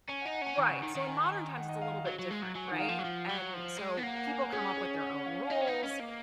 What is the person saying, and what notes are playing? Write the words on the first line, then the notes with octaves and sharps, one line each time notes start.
Right, so, in modern times it's a little bit different, right, and so people come up with their own rules,
C#4 G#5
D#4 F#5
F#5
C#4 G#5
D#3 F#5
C#3
D#3
D#3
G#5
F#5
D#5
F5
F#3
F#3
G#3
F#3
F#3 G#5
D#3 F#5
F5
F3 F#5
F#3
F3
F#3
F3
G#3
B3
A#3 F#5
F#5
G#5
F#5
C#4 G#4
G#4
F#5
F5
F5
D#4 D#5
C#4
D#4
C#4
A#3